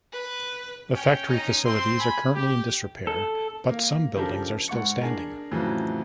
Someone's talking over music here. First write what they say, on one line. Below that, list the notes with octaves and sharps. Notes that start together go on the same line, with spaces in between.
The factory facilities are currently in disrepair, but some buildings are still standing.
B4
C#4 G5
C#4 D#4
C4 C6
G#5 B5
G4
A4
A#3
C#3 F3 D4 G4 A4 A#4
G#2 F#5 C#6 C#7
D4 G#4 A#4
F2 A2 C#3 E3 F#3